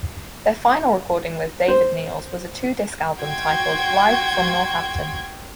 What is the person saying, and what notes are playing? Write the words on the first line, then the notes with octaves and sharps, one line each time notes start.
Their final recording with David Nields was a two-disc album titled "Live From Northampton".
C5
F#4 G5 C6 G#6